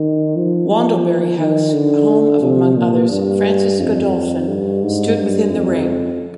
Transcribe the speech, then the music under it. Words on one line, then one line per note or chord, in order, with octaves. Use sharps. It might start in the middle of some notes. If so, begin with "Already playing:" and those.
Wandlebury House, home of among others, Francis Godolphin, stood within the Ring.
Already playing: D#3
F3
F3
D#3
D3
C3
A#2
G2
F2
G2
G#2
G2
F2